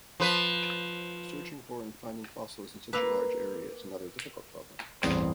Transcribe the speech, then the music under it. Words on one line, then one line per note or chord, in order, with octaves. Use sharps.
Searching for and finding fossils in such a large area is another difficult problem.
F3 B4
A#3 B4 D6 E6 F7
A1 E2 G2 C4 G#4